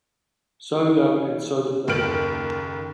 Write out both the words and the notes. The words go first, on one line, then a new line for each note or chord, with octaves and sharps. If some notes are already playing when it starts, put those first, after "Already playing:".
So young and so depraved!
F#1 D#2 A4 F6 D7 F#7